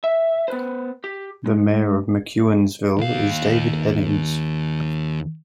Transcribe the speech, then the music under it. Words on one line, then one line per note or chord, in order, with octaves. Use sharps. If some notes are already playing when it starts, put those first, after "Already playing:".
The mayor of McEwensville is David Heddings.
E5
B3 B4 C5
G4
G#3
D#2 F5